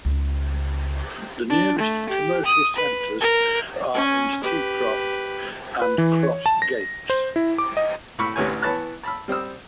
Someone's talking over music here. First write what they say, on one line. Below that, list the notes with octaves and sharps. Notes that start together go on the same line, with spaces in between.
The nearest commercial centres are in Seacroft and Cross Gates.
C#2
D4
A3
G4
D#6
B4
A#4
C#4 G#5
G4 B4
B4
E3
C#5
A5
A#6
C5
E4
D6
D#5
A2 B5 C#6 E6
A1 D2 C3 E3 C#5 G#5
E3 B3 C#5 A5 B5 F#6
A5 B5 E6
G3 C4 D#6 E6